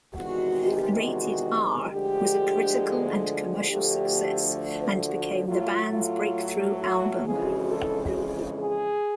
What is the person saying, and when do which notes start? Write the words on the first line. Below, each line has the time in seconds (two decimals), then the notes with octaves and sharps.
"Rated R" was a critical and commercial success and became the band's breakthrough album.
0.13 E2 C3 D#3 G#3 F#4
1.03 F#4
1.92 D2 D3 F3 G#3 G4
3.69 D2 D3 F3 A3 G4
5.03 F#4
5.47 A2 F#3 A3 F4
5.91 F4
6.81 F#4
7.25 F2 C#3 E3 G#3 G#4
7.69 A4
8.59 G#4